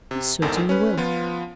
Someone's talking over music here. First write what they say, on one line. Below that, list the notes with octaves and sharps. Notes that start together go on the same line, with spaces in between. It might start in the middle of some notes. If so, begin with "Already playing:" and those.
"I certainly will."
C3
G#1 E2 D#3 A4
C#4 B4
F3 B3 F4